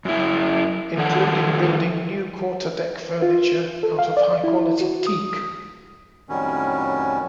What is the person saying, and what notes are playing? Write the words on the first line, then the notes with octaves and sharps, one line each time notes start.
Including building new quarter deck furniture out of high quality teak.
F#2 E4
D#3 F3 A4 F#5
F4
A4
F5
D5
E4
F#4
D#6
F2 A2 D#3 F#3 G3 C#4